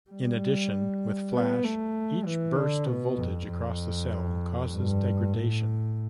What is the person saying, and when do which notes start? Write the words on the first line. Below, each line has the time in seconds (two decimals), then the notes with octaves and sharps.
In addition, with Flash, each burst of voltage across the cell causes degradation.
0.10 G3
1.33 B3
1.64 A3
2.26 E3
2.57 D3
2.87 B2
3.18 F2
3.49 F2
4.72 G2
5.34 A2